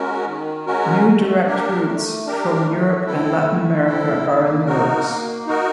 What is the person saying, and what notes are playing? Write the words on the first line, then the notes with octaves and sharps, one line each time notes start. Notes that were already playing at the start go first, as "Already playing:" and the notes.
New direct routes from Europe and Latin America are in the works.
Already playing: G#3 C#4 F#4 A#4
D#3
G#3 C#4 F#4 A#4
A3
D4 G4 A#4
A3
D4 G4 A#4
A3
C4 E4 A4
A3
C4 E4 A4
A#3
D#4 F#4 A#4
A#3
D#4 F#4 A#4